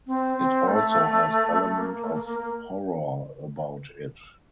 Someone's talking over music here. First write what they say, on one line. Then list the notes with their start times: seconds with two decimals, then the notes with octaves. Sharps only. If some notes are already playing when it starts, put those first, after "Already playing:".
It also has element of horror about it.
0.07 C4
0.37 C4
0.68 A3
1.62 A3
1.78 A#3
1.92 A#3
2.03 A3
2.13 A#3
2.24 A#3
2.40 A#3